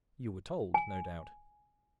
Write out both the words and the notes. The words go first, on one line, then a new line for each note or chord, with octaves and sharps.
"You were told, no doubt."
G#5